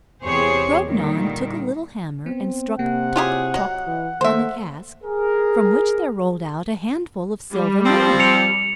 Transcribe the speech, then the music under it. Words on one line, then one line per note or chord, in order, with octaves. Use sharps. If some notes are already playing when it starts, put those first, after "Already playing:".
Grognon took a little hammer, and struck "toc, toc," on the cask, from which there rolled out a handful of silver money.
E2 C3 G4 G#4 C5 C#5
A#2 D3 D#3 G3
B3 C4
C3 A#3 F#5
E4 F4 G4 G#4 C#5 G#5
F#3 C#5 D#5
E3
D#3 A3 A#3 C5 E5
G#4 A#4
G3
F3 C4
C#7 F7